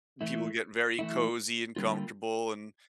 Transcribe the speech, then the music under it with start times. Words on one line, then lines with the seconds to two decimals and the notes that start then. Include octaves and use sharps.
people get very cozy, and comfortable, and
0.21 E3 A3 E4
0.99 E3 A3 E4
1.76 D3 G3 A#3 F4